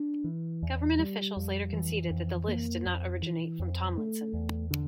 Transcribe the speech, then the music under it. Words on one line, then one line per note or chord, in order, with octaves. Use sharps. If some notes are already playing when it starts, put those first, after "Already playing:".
Government officials later conceded that the list did not originate from Tomlinson.
Already playing: D4
E3
E2
G3
F2
E3
F2
A#3
F2
E3
F2
A3
E2
D3